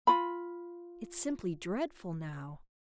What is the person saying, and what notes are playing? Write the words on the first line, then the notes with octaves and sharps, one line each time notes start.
It's simply dreadful now.
F4 B5